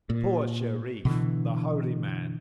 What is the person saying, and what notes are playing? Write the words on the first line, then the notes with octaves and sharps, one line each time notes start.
Poor Shereef!—the holy man!
A#2
B2 D3 E3